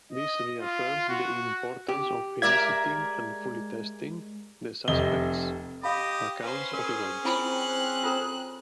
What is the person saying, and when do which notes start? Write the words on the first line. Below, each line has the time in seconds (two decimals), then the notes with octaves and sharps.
This reaffirmed the importance of eliciting and fully testing the suspects’ accounts of events.
0.12 D#5
0.61 F4
1.09 F#4
1.88 G4
2.42 G#3 A#4 D5 E5 G#6
4.88 F1 C3 D#5 G7
5.83 G4 D#5 F5 B5
6.40 C#4 B4 C5
6.73 C#4 G#4 A#4
7.25 C4 E4 F4 B5 F#6
8.04 F4 A4 A#5